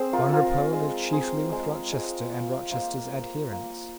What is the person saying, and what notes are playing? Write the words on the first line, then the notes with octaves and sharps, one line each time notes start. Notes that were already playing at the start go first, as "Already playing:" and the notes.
Bonrepaux lived chiefly with Rochester and Rochester's adherents.
Already playing: C4 G#4 C5
F4 A#4
C4 F4 A#4
G#3
C4 G#4 C5
G#3
G#3
F4
A#3 C5 F5
A#3
A#3